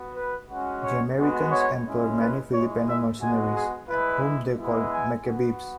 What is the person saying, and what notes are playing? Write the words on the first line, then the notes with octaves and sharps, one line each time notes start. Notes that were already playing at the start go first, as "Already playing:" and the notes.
The Americans employed many Filipino mercenaries whom they called "Macabebes".
Already playing: B3 F#4
B4
G#3 C#4 F#4
C#5
G#3 B3 F#4
C#5
G#3 C#4 E4
B4
G#3 E4 C#5
E5
G#3 B3 F#4 G#5
G#4
G#3 E4 B4
G#3 B3 E4
G#5
B3 F#4